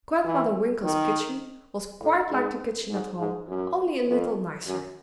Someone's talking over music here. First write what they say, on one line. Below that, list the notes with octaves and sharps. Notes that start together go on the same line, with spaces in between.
Grandmother Winkle's kitchen was quite like the kitchen at home, only a little nicer.
E3
D#3
A2
G#2
G#2
G#2
F#2
F2
F#2